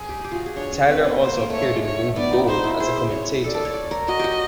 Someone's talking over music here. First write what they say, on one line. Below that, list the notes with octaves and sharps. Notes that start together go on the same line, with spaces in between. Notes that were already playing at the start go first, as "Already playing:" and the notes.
Tyler also appeared in the movie "Goal" as a commentator.
Already playing: G#4
G4
G4
F4 F#4
G#4
D4 C#5
C#4
C4 B4
B3
A#3 C5
A#3
A3 C#5
G#3
A3
C#5
B3 D5
D#4
D#4 C5
E4
G#4 C5
C#5
A4 D5
A4
C#5
A#4
F#4 D#5
F#4 G4